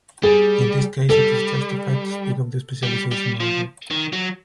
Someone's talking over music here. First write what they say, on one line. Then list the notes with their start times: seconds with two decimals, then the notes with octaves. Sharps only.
In this case it is justified to speak of the specialization order.
0.23 G3 G#4
1.09 G3 A4
2.83 G3
3.11 G3
3.40 F3
3.91 D#3
4.13 F#3